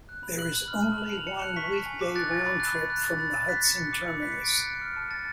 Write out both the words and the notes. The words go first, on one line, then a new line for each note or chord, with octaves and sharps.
There is only one weekday round trip from the Hudson terminus.
F#6
B5
F#6 F#7
B5
F6
A5
A5 F#7
A5 F7
A5 C#7
F#6
C#6 B6
A5
G#5
D6
F#6 A6
G#5
B5
F#6
B5
F#6
B5 A6
B5 A6
B5
F#6 B6
F#6 C#7
F#6
D6 C#7
B5
F#6 B6
C#7
B5 D7
F#6 C#7
F#6
F6
A5
A5 A6